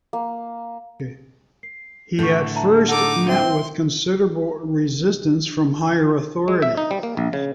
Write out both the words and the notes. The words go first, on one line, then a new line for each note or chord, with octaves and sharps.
He at first met with considerable resistance from higher authority.
A#3
C7
A2 D3 C#6 G6
E5 A5 A#5
D#4 A4 F#5 D6
C4 E5 C6
G#3
E5
D#4
G3
A#3
A#1
C#3